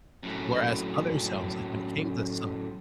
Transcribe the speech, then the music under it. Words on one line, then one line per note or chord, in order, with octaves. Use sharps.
whereas other selves, like when it came to some
F#2 A2